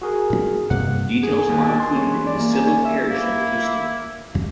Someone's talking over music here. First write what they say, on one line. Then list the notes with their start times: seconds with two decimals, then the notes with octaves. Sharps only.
Details are included in the civil parish of Fewston.
0.02 F#4 G#4 A#4
0.70 G2 C3 A#3 F#5
1.23 G#4
1.34 G#5
1.49 D#2
1.67 D4
1.80 C6
1.96 C#4
2.09 E3
2.26 D5
2.39 A#3
2.53 G#5
2.67 C#4
2.85 E5
3.10 A#3 E4